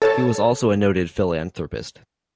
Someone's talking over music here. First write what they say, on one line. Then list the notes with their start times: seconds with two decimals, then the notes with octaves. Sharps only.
He was also a noted philanthropist.
0.02 A4 C#5 A5